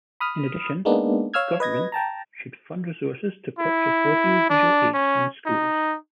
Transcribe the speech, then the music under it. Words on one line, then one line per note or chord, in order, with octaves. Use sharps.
In addition, government should fund resources to purchase audio-visual aids in schools.
B5 D#6 F6
G#3 A#3 B3 D4 D#4
C#5 F5 E6 F6 G#6
B4 D#5 G#6 A#6
G5 A5 A#5
E4
D4
C#4
D#4